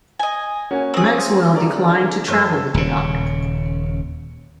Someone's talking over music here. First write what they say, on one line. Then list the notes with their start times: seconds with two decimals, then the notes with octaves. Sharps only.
Maxwell declined to travel with the Doctor.
0.19 D#5 G#5
0.71 A#3 C#4 F#4
0.94 C4 G#4
1.53 D3 A#4 D5
2.28 F#2 A3 C5 E6
2.74 D#1 C#3